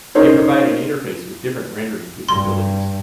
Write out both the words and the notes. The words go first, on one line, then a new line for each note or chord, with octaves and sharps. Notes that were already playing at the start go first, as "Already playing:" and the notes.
They provide an interface with different rendering capabilities.
C#4 D#4 A#4 C5 C#5
G2 C6